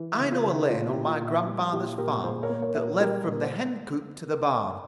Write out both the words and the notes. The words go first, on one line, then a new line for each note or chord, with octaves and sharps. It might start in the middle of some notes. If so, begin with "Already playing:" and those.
I know a lane on my grandfather's farm that led from the hen-coop to the barn.
Already playing: E3
E4
C#3
F4
C#3
E4
A#2 F4
E4 G4
A#2
F4
A#2
E4
G3
A#2 E4 G4
A#2 G4 A#4
A#2 G#4 C5
A#4 C#5
A#3
A#4 C#5
A#2 E5
A#4 C#5
G3 G4 A#4
A#2 A#4
C5